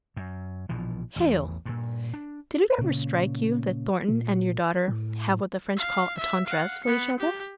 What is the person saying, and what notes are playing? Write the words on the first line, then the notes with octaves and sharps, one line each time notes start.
'Hale! did it ever strike you that Thornton and your daughter have what the French call a tendresse for each other?'
F#2
A#1 B2 E3 F3
A1 E2 E3
G2 A#2
D4
A#2 C#3
A#2
A2
F5
E5
F5 F#5
B3 C#7
G4